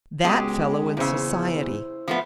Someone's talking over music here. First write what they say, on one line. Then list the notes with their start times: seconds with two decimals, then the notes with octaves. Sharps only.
"That fellow in Society!"
0.24 C#2 G#3 B3 F#4 G4
0.97 E2 A#2 C#3 E4 C5 E6
2.08 D1 F3 A3 B3